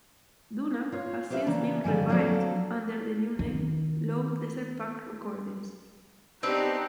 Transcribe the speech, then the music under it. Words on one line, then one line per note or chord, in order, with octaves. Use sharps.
Duna has since been revived under the new name "Low Desert Punk Recordings".
F4 C#5
G4 B4 C5 D5 E5 F5
C#3 E3 A#3 D4
F2 D3 D#3 G3 G#5
F3 F#3 A#3 C4 D4 A4
D#3
B3 C4 D4 D#4 G4 B4